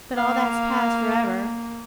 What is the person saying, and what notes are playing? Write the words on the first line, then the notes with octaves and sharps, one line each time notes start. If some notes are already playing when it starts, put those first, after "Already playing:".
But all that's past for ever.
A#3 F5